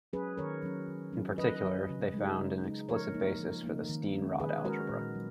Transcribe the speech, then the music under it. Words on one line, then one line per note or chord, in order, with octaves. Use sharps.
In particular they found an explicit basis for the Steenrod algebra.
F#3 C#4 G#4 B4
D#3 A#4 C#5
F#3 C#4
D#3
F#3 C#4
D#3 B4 D#5
F#3 C#4
C#3
G#3 D#4
C#3
G#3 D#4
F3 A#4 C#5
A#3 D#4
F3
A#3 D#4
D#3
G#3 C#4
D#3 G#4 B4
G#3 C#4 F#4 A#4
A#2
F#3